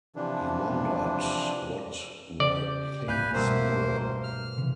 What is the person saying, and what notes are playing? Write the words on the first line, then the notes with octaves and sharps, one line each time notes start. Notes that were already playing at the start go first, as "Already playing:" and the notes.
He wondered what the things were.
C3 E3 F3 D4
C#3 C#4 D5
G4
C2 G#2 C4 B4 F5 G#5 G6
G2 B2 A3 A#3 C5
F6
C3 E3